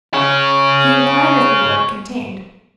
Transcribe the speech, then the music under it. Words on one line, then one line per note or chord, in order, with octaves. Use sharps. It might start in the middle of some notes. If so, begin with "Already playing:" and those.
He inquired of me what it contained.
G#4 C#5